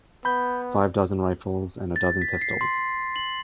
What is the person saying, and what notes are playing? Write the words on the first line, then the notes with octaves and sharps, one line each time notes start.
Five dozen rifles and a dozen pistols.
B3 B5 G6
A6
B6
C7
C6
F#7